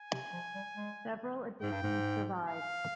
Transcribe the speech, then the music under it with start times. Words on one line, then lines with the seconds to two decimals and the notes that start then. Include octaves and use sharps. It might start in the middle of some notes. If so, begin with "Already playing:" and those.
Several editions survived.
Already playing: G#5
0.13 C3
0.33 F3
0.55 G3
0.77 G#3
1.62 G#2 G5
1.72 G2
1.83 G#2
2.47 F5